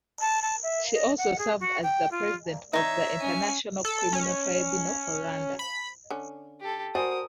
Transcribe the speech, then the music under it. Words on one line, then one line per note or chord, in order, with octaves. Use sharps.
She also served as the president of the International Criminal Tribunal for Rwanda.
A5
A5
E5
D#5
F#5
G#4
F#4
G5
F4
D#4 C#5 E5
C#4 G#5
A4
C#4
B5
D3 C#4
G4 A4
F#4 A#4 C5 D5 G#5 D#6